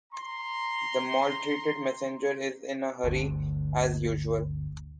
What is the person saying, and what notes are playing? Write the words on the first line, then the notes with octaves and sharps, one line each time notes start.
The maltreated messenger is in a hurry as usual.
A#5 C6
G1 D2 D3